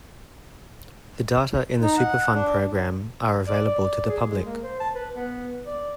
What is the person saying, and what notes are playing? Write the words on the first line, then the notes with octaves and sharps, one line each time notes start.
The data in the Superfund Program are available to the public.
D#4
F#5
D4
D5
D5
G#4
G#3
A#3
C5
A5
B4
B3
D5